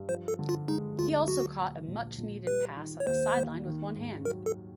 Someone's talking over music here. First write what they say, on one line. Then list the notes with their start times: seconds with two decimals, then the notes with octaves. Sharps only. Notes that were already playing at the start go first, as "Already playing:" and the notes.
He also caught a much-needed pass on the sideline with one hand.
Already playing: G2
0.08 F3 C5
0.28 A4
0.39 D3
0.49 F4
0.68 G#3 D#4
0.98 D2 F4
1.28 F#3 F#4
1.58 A#2
1.88 A#1
2.18 A#1
2.47 G3 B4
2.77 D#3
3.00 C#5
3.06 D#2 C5
3.37 D#2
3.66 D#3
3.96 G#2
4.25 F#3 A#4
4.46 A4